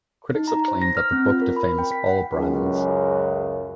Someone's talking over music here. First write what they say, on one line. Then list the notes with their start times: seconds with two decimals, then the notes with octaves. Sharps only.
Critics have claimed that the book defames all Brahmins.
0.35 D#4
0.48 A#5
0.68 C5
0.82 A#6
0.97 F6
1.12 C4
1.25 F4
1.42 A#4
1.56 B5
1.79 G5
1.92 B6
2.07 F#5
2.32 C#2 F#2